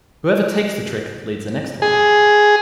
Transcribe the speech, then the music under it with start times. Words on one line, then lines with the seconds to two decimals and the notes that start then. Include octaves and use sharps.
Whoever takes the trick leads the next one.
1.82 G#4